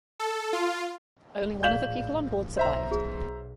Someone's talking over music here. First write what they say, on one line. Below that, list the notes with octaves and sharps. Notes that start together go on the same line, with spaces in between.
Only one of the people on board survived.
A4
F4
A#1 A2 G#4 D5 F5 G6 E7 F#7
B1 C5 E5 A#5
G#4